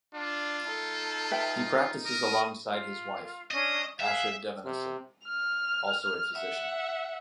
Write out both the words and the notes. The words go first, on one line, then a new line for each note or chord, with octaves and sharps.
He practices alongside his wife, Asha Devanesen, also a physician.
D4 F4
D#4 A4
B4 E5 G5
A#4 D#6
F4
C#4 D4 C#5 D#5
G#4 E5 F5 F#6
C3
F6
E5 F#5